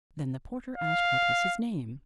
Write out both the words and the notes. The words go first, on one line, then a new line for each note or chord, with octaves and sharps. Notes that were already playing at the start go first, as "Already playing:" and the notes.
Then the porter asked what was his name.
F5